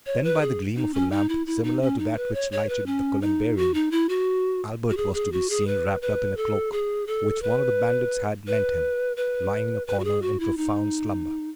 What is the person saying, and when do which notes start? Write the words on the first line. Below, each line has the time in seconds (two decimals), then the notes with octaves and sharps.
Then, by the gleam of a lamp, similar to that which lighted the columbarium, Albert was to be seen wrapped up in a cloak which one of the bandits had lent him, lying in a corner in profound slumber.
0.06 C#5
0.24 B4
0.41 G#4
0.76 D#4
0.94 C#4
1.11 D#4
1.29 E4
1.47 E4
1.64 D#4
1.82 C#4
1.99 D#4
2.17 B4
2.34 C#5
2.52 C#5
2.69 B4
2.86 C#4
3.22 D#4
3.57 F#4
3.74 D#4
3.91 E4
4.09 F#4
4.90 F#4
4.97 G#4
5.14 G#4
5.32 F#4
5.50 G#4
5.67 B4
6.02 B4
6.37 A4
6.72 G#4
7.07 A4
7.42 B4
8.47 B4
9.17 B4
9.87 B4
10.00 F#4
10.04 G#4
10.22 F#4
10.40 E4
10.57 D#4